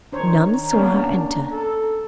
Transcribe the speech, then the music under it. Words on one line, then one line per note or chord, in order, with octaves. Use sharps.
None saw her enter.
D#3 D4 C5 C#5 A#5
A#3 B3 C#4 D4
A4